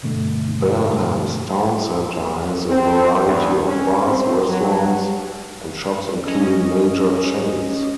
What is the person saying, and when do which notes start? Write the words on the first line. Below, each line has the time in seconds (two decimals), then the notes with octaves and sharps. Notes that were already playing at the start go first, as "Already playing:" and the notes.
Balham's town centre has a variety of bars, restaurants and shops including major chains.
0.03 G2 B2 D3 A3
2.69 C4
3.26 E2
3.67 C#4
4.07 C4
4.48 F#3
6.26 C#4 D#5